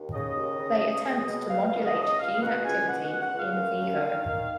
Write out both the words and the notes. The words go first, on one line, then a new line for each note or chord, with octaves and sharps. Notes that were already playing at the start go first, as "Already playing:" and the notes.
They attempt to modulate gene activity "in vivo".
Already playing: D#2
C#3 D#5
D#2
C#3
B2
C#2
B2
B2 F5
F5
C#2
D#5
C#2
D#5
C#2 F5
B2 F#5
C#2 G#5
B2 F#5
F#5
C#2
F#5
C#2
F5
F#2
F#2
D#3
D#3